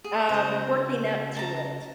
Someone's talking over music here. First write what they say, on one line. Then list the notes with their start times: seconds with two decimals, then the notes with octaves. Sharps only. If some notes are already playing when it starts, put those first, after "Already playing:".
um, working up to it.
0.04 G#4
0.29 C#3 F#4 C5 D#5
1.37 A5 A#5